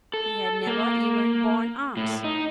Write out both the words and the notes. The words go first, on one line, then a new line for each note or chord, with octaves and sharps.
He had never even borne arms.
A4
A#3
A2
D#4